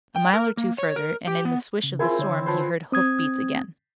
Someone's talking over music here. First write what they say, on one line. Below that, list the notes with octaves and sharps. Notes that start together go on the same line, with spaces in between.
A mile or two further and in the swish of the storm he heard hoofbeats again.
G5
A#4
A#3
C#5
A#4
G4
B3
C#3
C4 E4 F4 G#4 A#4 G#5
D3 C#5
F3 B4 C5
C4 D#6 G#6